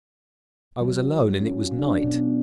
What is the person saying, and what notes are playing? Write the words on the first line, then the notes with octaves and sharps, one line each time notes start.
I was alone and it was night.
F#3
C#4
F4
D4
B2